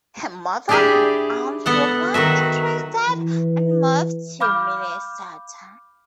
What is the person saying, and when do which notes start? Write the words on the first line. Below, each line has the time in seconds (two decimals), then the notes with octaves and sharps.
Her mother and aunt were born in Trinidad and moved to Minnesota.
0.69 D4 E4 G4 G#4 D5 G5
1.66 B3 A4 F#5
2.14 D#3 F#3 F#4 E5
3.08 E3
4.40 F5 B5 D6 F6 G6